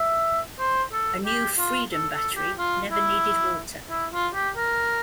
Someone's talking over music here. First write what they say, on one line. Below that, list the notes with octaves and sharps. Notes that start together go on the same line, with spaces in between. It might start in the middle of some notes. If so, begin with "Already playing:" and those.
A new Freedom battery never needed water.
Already playing: E5
C5
A4
G4
F4
A4
A4
G4
F4
E4
E4
F4
G4
A#4